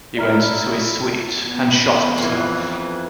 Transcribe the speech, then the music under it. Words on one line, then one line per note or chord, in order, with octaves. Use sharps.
He went to his suite and shot himself.
E4 D5 A#5 F6
B3
F2 E3